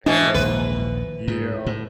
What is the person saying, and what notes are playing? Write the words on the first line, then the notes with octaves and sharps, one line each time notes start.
and, um, yeah,
B2 E3 D4
A#1 D#2 B4
G#2
A2